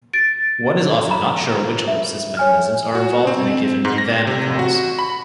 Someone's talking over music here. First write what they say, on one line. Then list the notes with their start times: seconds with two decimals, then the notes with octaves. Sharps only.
One is often not sure which ellipsis mechanisms are involved in a given "than"-clause.
0.13 A6 D7
1.11 A#5 B5 E7
1.88 E5
2.37 C#5 G#5 F6
2.95 F#4
3.27 C4
3.85 G#2
3.98 A#6
4.27 C3
4.59 F#4
4.99 B5